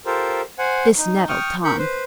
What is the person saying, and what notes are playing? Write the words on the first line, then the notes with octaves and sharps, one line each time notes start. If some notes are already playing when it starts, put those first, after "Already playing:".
This nettled Tom.
F4 G4 A4 A#4 C5
C5 F#5 G#5
D#4
G5 C#6 D#6 F6
A#4 B5 C#6 G6
B4 C5